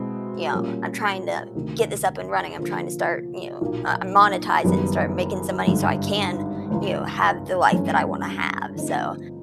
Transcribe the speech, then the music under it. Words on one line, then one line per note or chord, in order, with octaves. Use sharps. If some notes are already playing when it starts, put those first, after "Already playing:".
you know? I'm trying to get this up and running. I'm trying to start, you know, uh, monetize it and start making some money so I can, you know, have the life that I wanna have. So,
Already playing: B2 G#3 C4 E4
A#2 G3 A#3 C#4
D2 C3 D#3
D3 F3 A#3
B1 A#2 F#3 A#3
F#1 F#2 D#3 G3 B3
G#1 G2 D3
C#2 C#3 E3
G2 E3 A3 C#4
D3 F3 A3 C4 D#4